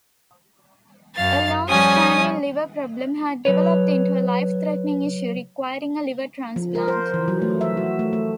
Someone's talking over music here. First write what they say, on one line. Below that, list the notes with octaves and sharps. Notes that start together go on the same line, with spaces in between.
A long-standing liver problem had developed into a life-threatening issue requiring a liver transplant.
F#2 F5 A6
F3 G3 C#4 G#5 D#6
F#3 B4 C#5
F3
A#4
C5
E3
F#3
A3
E5
F#4
A3
A3